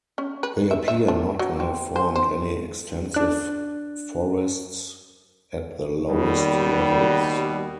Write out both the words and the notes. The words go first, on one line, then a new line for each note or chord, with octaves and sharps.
They appear not to have formed any extensive forests at the lowest levels.
C#4
B4
E5
E5
D4
F#3
C4
C5
C5
D4 F#6
D#2 B2 G3